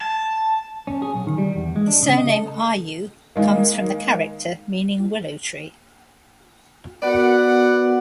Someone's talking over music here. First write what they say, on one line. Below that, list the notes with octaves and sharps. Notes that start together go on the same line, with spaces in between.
The surname "Ryoo" comes from the character meaning willow tree.
A5
C#4
G#4
B1
D#3
G3
E2
G#3
D4
C#3
D#5
A4
D#3 G#3 A#3
B3 F#4 A#4 B4 D5 F#5